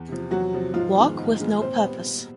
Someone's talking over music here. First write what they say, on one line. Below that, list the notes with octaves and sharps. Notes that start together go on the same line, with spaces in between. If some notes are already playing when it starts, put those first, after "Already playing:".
Walk with no purpose.
Already playing: E2
C3 F3
E2 F#3 F#4
C3 F3
G#2 F3 F4
D#3 G#3 B3
G#2
D#3 G#3 B3
A#2 C4 C5
G3 B3
A#2